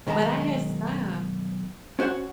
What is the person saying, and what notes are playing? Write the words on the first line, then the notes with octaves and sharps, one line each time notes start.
But I had stop.
B1 D#3 G#3 A5 A#5
C#4 F#4 C5 C#5 F#5